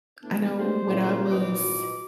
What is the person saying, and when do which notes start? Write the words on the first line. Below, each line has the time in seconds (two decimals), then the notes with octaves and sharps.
I know when I was
0.23 A2 B3 D4
0.59 G#3 A3 D4 G4 C5
0.88 A#2 C#3 E4 D5
1.31 G#1 A#2 E4 F#4 B4 D#5 D6